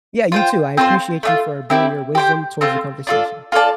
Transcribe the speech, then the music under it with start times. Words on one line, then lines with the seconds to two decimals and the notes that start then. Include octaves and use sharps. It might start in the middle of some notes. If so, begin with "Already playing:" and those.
yeah, you too. I appreciate you for bringing your wisdom towards the conversation.
0.32 F4 C5 G5
0.77 C4 F4 A4 C5
1.23 A3 D4 F4
1.70 C4 E4 G4
2.15 G4 C5 G5
2.61 A3 C4 F4 C5
3.07 D4 F4 A4
3.52 F4 A4 D5 A5